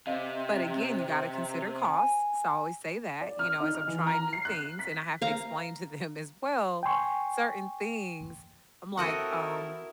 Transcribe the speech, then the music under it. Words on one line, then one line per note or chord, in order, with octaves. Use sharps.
But again, you got to consider costs, so I always say that, you know? As I'm trying new things, and I have to explain to them as well certain things, I'm like, "Um,
C3 D#5 F5
G#5
D5
F6
D#4
F6
E3
A#5
C7
F#6
B6
F5 A#5
G5 G#5 C6 C#6
C4 E4 F#4 A4 A#4 D#5 F#5